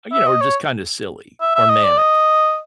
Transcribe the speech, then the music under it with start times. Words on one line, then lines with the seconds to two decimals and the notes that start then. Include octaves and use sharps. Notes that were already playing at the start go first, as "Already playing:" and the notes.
eh, you know, are just kinda silly or manic.
0.13 E5
0.27 D#5
0.41 C#5
1.41 E5
1.55 E5
1.70 D#5
1.84 D5
1.98 D#5